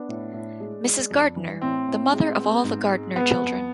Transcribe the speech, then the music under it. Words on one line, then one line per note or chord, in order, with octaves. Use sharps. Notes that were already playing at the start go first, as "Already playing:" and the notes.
Mrs. Gardiner: The mother of all the Gardiner children.
Already playing: B3 D4
A2
A2
G#3
G#3
F2
E3
A2 C4
A2
G#3
B3
G#2
G#3
G#3 B3
F2